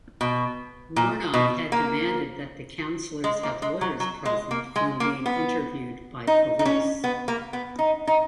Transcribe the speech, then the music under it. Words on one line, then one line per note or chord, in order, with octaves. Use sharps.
Warnock had demanded that the counselors have lawyers present when being interviewed by police.
B2
A#2
B2
A#3
G#3
A#3
G#3
F#3
F#3
G#3
A#3
G#3
A#3
B3
D#4
D#4
C#4
B3
A#3
B3
D#4
D#4